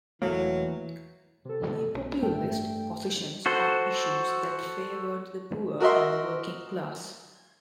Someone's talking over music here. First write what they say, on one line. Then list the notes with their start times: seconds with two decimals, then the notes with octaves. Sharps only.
He populist positions on issues that favored the poor and the working class.
0.22 E1 E3 F#3 A3 A#3
1.45 C3 A4
1.94 B1
2.22 A1 G2 A3 G5
3.46 F#4 A4 C5
5.80 F#4 A#4 D#5 E5 C6